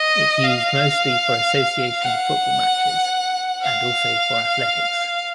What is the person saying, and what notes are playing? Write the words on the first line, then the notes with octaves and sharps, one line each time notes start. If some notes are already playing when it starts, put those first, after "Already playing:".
It used mostly for association football matches and also for athletics.
Already playing: D#5
F5
F#5
F5